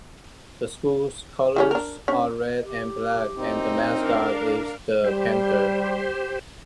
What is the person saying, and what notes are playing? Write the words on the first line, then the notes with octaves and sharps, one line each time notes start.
The school's colors are red and black, and the mascot is the Panther.
E3 G3 C#4
D4 A#4
C#4 D4
G4
F#2 A#2 C4 D#4
D4 A#4 F5
G3 G4 C5